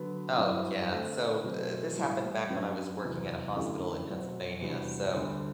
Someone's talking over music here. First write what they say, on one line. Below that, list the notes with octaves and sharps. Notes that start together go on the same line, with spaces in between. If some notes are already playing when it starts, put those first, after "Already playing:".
Oh, yeah, so, eh, this happened back when I was working at a hospital in Pennsylvania. So,
Already playing: D3 F#3 B3
G2 F#3 C4 E4
D3 A3 C4
B2 F#3 A3 C4
A2 E3 G3
F#2 F#3 B3 D4
E2 C3 F#3
F#2 D3 A3 E4 G4
B2 F#3 C4 F#4
E2 C3 G3 D4 F#4
D2 D3 G3